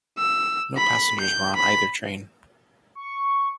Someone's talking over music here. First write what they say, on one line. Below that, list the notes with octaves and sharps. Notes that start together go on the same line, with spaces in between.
No passengers were on either train.
E6
B5
G6
B5
C#6